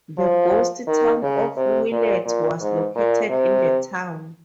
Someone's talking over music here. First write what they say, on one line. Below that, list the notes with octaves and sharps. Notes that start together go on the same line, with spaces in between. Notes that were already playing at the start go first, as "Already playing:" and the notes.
The ghost town of Willet was located in the town.
F3
D#3
C#3
C3
A#2
A#2
G#2
A#2
C3